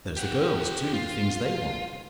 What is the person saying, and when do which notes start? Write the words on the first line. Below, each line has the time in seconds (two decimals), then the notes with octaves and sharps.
There's the girls, too--the things they want!
0.17 G4 F#5
0.94 F4